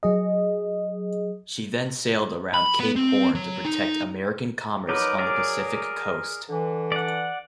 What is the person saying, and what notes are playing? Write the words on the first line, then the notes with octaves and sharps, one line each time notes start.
She then sailed around Cape Horn to protect American commerce on the Pacific coast.
F#3 G#4 D#5
B5
B3
C4
F#3
D#4
F#3 D#4 A#4 B4 D6
G#4 A#4 D5
D3 E3
D5 F#5